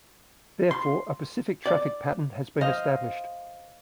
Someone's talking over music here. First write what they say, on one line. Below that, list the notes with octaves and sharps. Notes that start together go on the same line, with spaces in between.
Therefore, a specific traffic pattern has been established.
C6
D5
C5 D#5 F5 F6